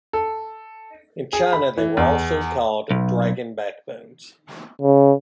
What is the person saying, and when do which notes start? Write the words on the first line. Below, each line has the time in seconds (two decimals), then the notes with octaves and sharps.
In China, they were also called "dragon backbones".
0.13 A4
1.33 G#4
1.53 B5
1.77 E3
1.97 E2
2.91 B1
4.82 C#3